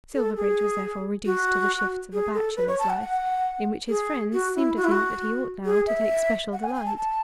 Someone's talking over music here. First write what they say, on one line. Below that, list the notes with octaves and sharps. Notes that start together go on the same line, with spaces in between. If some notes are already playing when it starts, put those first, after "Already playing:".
Silverbridge was therefore reduced to the shifts of a bachelor's life, in which his friends seemed to think that he ought now to take special delight.
A4
G#4
F#4
G#4
A4
B4
C#5
A5
F#5
F#5
G#4
F#4
E4
F#4
E4
F#4
G#4
E5
F#5
G#5
G#5
A5
A5